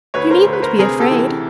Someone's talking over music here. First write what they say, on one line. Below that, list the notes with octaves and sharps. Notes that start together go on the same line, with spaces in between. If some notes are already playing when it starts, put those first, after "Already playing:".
You needn't be afraid.
D2 B4 C#5
A#4 C5
D2
B4
A#4 C5
C3 G#4 A#4
G4 A4
E3